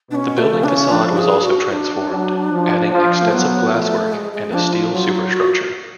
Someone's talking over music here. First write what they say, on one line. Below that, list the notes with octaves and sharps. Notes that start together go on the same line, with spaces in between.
The building facade was also transformed, adding extensive glasswork and a steel superstructure.
B2 C#4 D4
A3
C#3
D4
C#4
F3 D4
G#4
F#4
D4
F#3
F3
F3
A3
F#3 B3
F3 A3 B3
G#3
G#3
F3 D4
F4
F#3 F4
F4
F#4